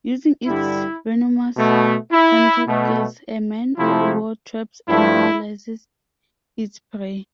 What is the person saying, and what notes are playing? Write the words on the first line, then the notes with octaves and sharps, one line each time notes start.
Using its venomous tentacles, a man o' war traps and paralyzes its prey.
G2 D3 G3 E4
B2 A3
E4
B2 A3
C3 F3 A3 E4
G2 F3 A3 E4